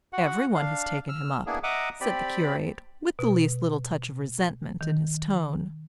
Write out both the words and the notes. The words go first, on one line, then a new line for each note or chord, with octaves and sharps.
"Every one has taken him up," said the curate, with the least little touch of resentment in his tone.
F#4 F#5
D4 F5
E6 F6
A#3 B3 D4 E4 G#4
D#5 E5 F#5 A#5 D6 D#6
C4 G4 D5 B5
B2
D#3